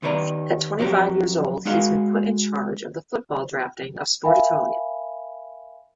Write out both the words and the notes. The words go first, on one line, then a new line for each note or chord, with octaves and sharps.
At twenty-five years old, he has been put in charge of the football drafting of Sportitalia.
D#2 D#3 B4 C#5 D5 A#5
F2 F#3 G4 A#4 G5
G#3 D#4 F#4 G#4 F5
A#4 E5 F5 G5 G#5 B5